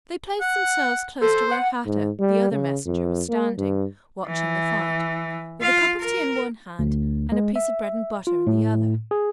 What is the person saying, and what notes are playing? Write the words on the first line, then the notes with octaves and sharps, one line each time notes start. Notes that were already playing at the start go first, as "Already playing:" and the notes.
They placed themselves close to where Hatta, the other messenger, was standing watching the fight, with a cup of tea in one hand and a piece of bread-and-butter in the other.
F#5
A4 C5
F#5
G#2
G3
C#3
F2
A#3
G2
E3
F4 F5
A#4
D2
G#3
E5
F4
A2
G#4